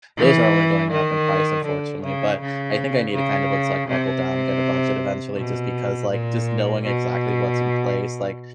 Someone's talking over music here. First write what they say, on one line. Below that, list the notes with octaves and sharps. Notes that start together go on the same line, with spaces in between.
those are only going up in price, unfortunately. But I think I need to kind of let's like buckle down and get a budget eventually just because like just knowing exactly what's in place, like,
E3
D#3
D3
C#3
C#3
C#3
C3
B2
A#2
B2